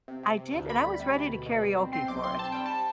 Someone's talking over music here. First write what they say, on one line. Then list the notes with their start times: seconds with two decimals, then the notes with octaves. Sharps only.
I did, and I was ready to karaoke for it.
0.08 C3
0.23 C3
0.38 C3
0.54 D2
0.69 D2 B5
0.85 G3
1.00 C3
1.16 D2
1.31 B2
1.46 B2
1.62 G3
1.77 C4
1.93 C4 C6
2.08 B1 D6
2.24 C4 C6
2.39 C4 A5
2.52 G3 G5
2.66 G3 A5